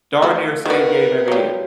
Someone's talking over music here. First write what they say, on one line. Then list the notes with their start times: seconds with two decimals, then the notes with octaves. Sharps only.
darn near the same game every year.
0.22 A3 F#4 F5 E6
0.65 D#3 F#4 A#4 B4
1.28 F#3 G3 F#4 C#5 F5